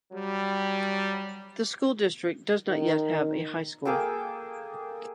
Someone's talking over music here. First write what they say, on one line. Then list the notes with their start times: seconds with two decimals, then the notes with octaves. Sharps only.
The school district does not yet have a high school.
0.12 F#3 G3
2.68 D#3
3.85 A#3 G#4 A4 G5